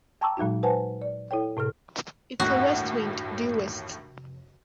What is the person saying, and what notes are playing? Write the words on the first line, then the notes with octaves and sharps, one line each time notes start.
It's a west wind, due west!
G5 A5 A#5 C#6 D6 E6
A#2 F#3 G#3 D#4 F#4
B4 C5 F#5 G#5 A5
D5
E4 A4 C#5 G5
A2 C3 A4 F6
G1 D#2 A2 F#4